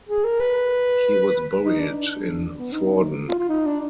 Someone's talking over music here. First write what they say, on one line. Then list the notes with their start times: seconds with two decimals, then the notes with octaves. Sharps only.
He was buried in Vorden.
0.09 G#4
0.25 A#4
0.40 B4
1.64 D#4
1.80 D4
1.94 D4
2.57 B3
2.73 D#4
3.29 F4
3.39 F4
3.49 D#4
3.66 D4